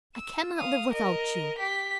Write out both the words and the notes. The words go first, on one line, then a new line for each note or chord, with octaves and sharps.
I cannot live without you!
E6
F5 D#6
A#4 D#5
G4 B6